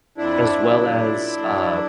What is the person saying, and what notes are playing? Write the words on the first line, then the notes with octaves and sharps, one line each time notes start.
as well as, uh,
F2 D4 E4
C#3 F#3
A#2
F#3 A3